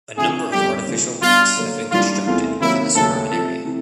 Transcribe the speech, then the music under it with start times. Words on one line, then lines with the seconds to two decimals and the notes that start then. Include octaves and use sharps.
A number of artificial lakes have been constructed within the suburban area.
0.17 D2 C3 F3 G#4
0.51 F2 D3 G3 B3 D4 G4
0.87 D#2 C#3 F3
1.22 B2 G3 B3 D4 F4
1.57 D3 F#3 A#3
1.91 G#2 E3 G3 A#3 D4 F4
2.26 E2 C3 E3 A3 F4
2.61 C3 D#3 F#3 A#3 D#4 E4
2.95 D#2 C#3 F#3 A3 A4
3.30 C3 F3 A3 A4
3.65 C3 E3 A3